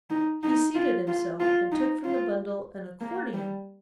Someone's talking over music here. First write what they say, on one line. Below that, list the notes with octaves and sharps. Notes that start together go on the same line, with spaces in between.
He seated himself and took from the bundle--an accordion!
D#4
D#4
F4
F4
F4
D#4
F4
A#3
G3